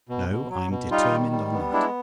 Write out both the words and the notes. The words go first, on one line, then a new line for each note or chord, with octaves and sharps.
No: I'm determined on that.
B2
B2
F#3
B2
G3 D#4 F4
D#3
G3
B3
G#3 D4 E4